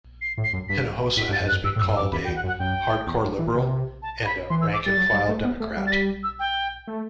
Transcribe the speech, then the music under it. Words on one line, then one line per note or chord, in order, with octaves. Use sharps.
Hinojosa has been called a "hard-core liberal" and a "rank-and-file Democrat".
C7
A2
C7
F#2
G2 B6
A2 B6
G2
A6
F#2
F#6
F#2
G2 E6
A2
E6
F#2
G2
D6
F#2
E2 B5
G5
E2
F#5
F#2
F#5
F#2 G5
E2
F#2
E3
C3
A5
B5
E3 C6
E6
D6
G3 A6
F#3
G3
A3
B3
A3
G3
A6
B6
E6
G5
A3